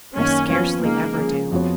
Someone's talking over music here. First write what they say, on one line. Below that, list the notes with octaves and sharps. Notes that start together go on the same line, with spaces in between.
I scarcely ever do.
F#2 D#3 A#3 C#4
F3 B3 C#4 F4 B4
C#3 G#3 A#3 D#4 G#4
F3 G#3 C#4 G#4
F2 F3 B3 F#4 C#5